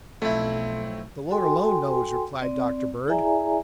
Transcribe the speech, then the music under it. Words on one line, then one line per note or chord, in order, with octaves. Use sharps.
"The Lord alone knows," replied Dr. Bird.
B1 F2 A3 C4 E4
F#4 A4 G5 G#5 C6
C4 D5
E4 G#4 D5 E5 G#5 A#5